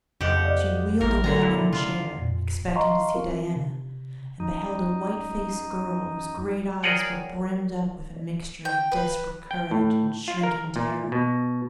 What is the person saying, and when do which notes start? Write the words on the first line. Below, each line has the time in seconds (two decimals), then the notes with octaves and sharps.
She wheeled around in her chair, expecting to see Diana, and beheld a white-faced girl whose great eyes were brimmed up with a mixture of desperate courage and shrinking terror.
0.21 F#1 F2 G4 D#5 F#5 E7
0.45 D5 D#5 F5
1.01 A1 E4 A#4
1.24 D2 A#2 D3 A#4 A#5
1.43 E1 A#3 E4
1.73 C#2 F4
2.18 F2 A#2
2.76 D#5 F5 A5 A#5 C6 C#6
3.15 C4 F4 A#4
3.56 C3
4.40 F#2 D#4
6.83 G#4 A#4 C#5 D5 F#5 G5
8.65 G5
8.92 B4
9.51 G5
9.71 A2
10.28 F4
10.43 A#4
10.76 A#2
11.12 B2